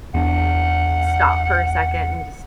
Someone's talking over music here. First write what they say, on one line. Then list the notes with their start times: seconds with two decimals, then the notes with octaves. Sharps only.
stop for a second and just
0.14 E2 D4 F#5